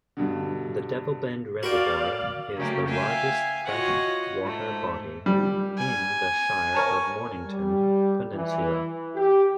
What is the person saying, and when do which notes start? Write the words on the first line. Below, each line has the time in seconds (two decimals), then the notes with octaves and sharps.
The Devilbend Reservoir is the largest freshwater body in the Shire of Mornington Peninsula.
0.17 G2 B2 D3
1.63 F#4 A#4 D5 F5 G5 B5
2.56 C#3 F#3 A3 A#3 G4
2.88 E5 F5 G5 G#5
3.66 F4 F#4 C#5 D#5 F#5
4.41 G#2 A3
5.26 G3
5.78 G#5
6.75 A#4 C#5 A5
7.46 G3
8.34 E3
9.15 G4